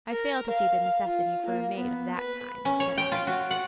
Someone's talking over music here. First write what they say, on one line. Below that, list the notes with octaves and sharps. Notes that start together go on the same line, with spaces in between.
"I fail to see the necessity for a maid of that kind," said I.
A#4
F5
F4
A#3
B3
B4
C#4
C#5
G5
F4
F#4
F#5